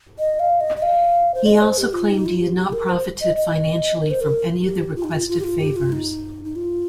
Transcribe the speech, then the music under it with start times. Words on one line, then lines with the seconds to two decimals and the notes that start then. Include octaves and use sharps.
He also claimed he had not profited financially from any of the requested favors.
0.19 D#5
0.39 F5
0.61 D#5
0.77 D#5
0.82 F5
1.34 C5
1.46 D#5
1.62 C5
1.78 G4
1.93 F4
2.10 D#4
2.26 F4
2.41 G4
2.57 G4
2.73 A#4
2.89 C5
3.21 D#5
3.37 D#5
4.01 A#4
4.11 C5
4.21 A#4
4.64 G4
4.96 F4
5.04 D#4
5.11 F4
5.28 F4
5.39 G4
5.44 F4
5.60 G4
5.76 F4
5.92 D#4
6.44 D#4
6.55 F4